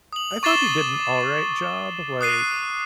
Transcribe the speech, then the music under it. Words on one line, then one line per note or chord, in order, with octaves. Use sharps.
I thought he did an all right job. Like,
D#6 F#7
C#6 D6 A6 C7 E7 G7
D#6 F#6 C7 D#7